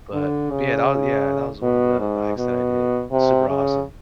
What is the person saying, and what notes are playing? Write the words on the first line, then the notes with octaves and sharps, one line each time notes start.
But yeah, that wa yeah that was one of the, the hikes that I did, super awesome.
D3
C#3
B2
G#2
B2
C3
C#3